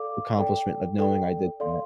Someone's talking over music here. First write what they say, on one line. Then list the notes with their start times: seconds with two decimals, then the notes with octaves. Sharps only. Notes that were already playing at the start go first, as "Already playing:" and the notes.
accomplishment of knowing I did that.
Already playing: A4 D5 F5 D6
0.38 A4 D5 G5
0.99 A4 D5 G5
1.60 A4 D5 F5 C6